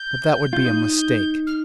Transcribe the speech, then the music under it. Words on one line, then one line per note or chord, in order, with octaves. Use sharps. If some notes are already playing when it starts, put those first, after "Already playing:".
But that would be a mistake.
Already playing: G6
F4
D#4
F6